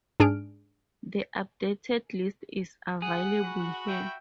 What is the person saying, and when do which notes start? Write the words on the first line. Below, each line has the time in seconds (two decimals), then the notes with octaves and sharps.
The updated list is available here.
0.20 G#2 D4 G#4 F6 D7
3.02 G#4 F#5
3.43 F#4 B5
3.87 E5 G5